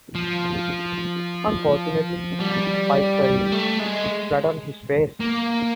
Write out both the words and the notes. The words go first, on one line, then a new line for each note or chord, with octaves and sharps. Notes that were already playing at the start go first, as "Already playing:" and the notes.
Unfortunately, Pike fell in, flat on his face.
F3
G3
A3
G#3
A#3